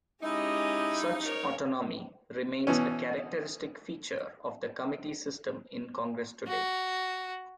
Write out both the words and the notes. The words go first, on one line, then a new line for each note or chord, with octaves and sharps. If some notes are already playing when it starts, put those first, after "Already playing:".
Such autonomy remains a characteristic feature of the committee system in Congress today.
G#3 C#4 D#4 E4 G4 D#5
A#4 C#5
B2 E3 C#4
F#4